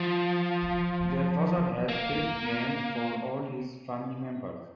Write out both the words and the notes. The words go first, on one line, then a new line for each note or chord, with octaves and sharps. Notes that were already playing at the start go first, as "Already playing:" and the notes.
Their father had pet names for all his family members.
Already playing: F3
A#3